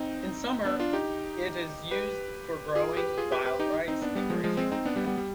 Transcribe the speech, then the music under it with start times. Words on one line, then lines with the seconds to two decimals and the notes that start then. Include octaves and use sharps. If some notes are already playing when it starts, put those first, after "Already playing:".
In summer it is used for growing wild rice and grazing cattle.
Already playing: C4 D#4
0.65 B3 D4
0.79 D4 F4
0.93 D#4 G4
1.91 G4 B4
2.75 F4 G#4
2.97 G4 B4
3.18 F4 G#4
3.32 G4 B4
3.45 G4 B4
3.60 D#4 G4
3.88 C4 D#4
4.02 B3 D4
4.15 G3 B3
4.30 F3 G#3
4.44 F3 G#3
4.57 G#3 C4
4.72 C4 D#4
4.85 B3 D4
4.96 G3 B3
5.06 G3 B3
5.17 G3